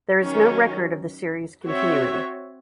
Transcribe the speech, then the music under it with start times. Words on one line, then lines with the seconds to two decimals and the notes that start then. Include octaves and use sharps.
There is no record of the series continuing.
0.20 D#3 F#3 C#4
1.66 C4 F#4 C#5 E5